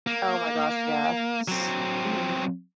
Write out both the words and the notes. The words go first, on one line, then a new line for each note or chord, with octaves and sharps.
Oh my gosh, yeah. S Mhm.
A#3
F#3 C4